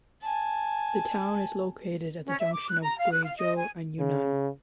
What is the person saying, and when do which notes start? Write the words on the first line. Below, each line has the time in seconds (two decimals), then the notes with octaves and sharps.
The town is located at the junction of Guizhou and Yunnan.
0.22 G#5 A5
2.27 C#4
2.40 E5
2.53 D6
2.69 F#6
2.82 A#5
2.98 F5
3.12 F#6
3.25 F5
3.37 D#5
3.55 G#5
4.00 C#3